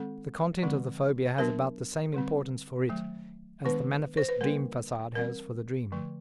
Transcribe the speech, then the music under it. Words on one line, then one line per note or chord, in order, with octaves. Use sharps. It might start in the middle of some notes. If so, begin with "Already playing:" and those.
The content of the phobia has about the same importance for it as the manifest dream facade has for the dream.
Already playing: D#3 G#3 C4 A4
D3 F3 G#3 C4
F#3 B3 D4 A#4
D3 G3 C4
D#3 F#3 A3
D#3 G#3 B3 D4 B4
C5
B4
D3 G3 A#3 D4 A#4
E3 G3 C4 A#4
D3 F3 A3